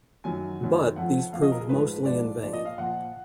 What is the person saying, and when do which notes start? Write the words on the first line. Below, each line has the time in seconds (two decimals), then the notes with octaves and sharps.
But, these proved mostly in vain.
0.24 F#2 D#3 F#3 G#5
0.60 F#2 D#3 F#3
0.96 F2 F3 F#5
1.33 F2 F3 F5
1.42 D#5
1.52 A#4
1.60 G#4
1.69 G#2 F3 B4
2.05 G#2 F3 D5
2.42 A#2 F3 D5
2.53 D#5
2.65 F5
2.78 A#2 F3 F#5